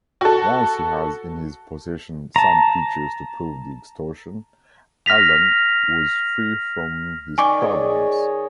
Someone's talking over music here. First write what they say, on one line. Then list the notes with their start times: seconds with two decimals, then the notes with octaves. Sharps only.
Once he has in his possession some pictures to prove the extortion, Alan was free from his problems.
0.21 F#4 A4
2.36 A5 A#5
5.06 F6 A#6 B6 F7
7.38 D#3 D5 G#5 C#6 D6
7.61 G#4 C#5 D#5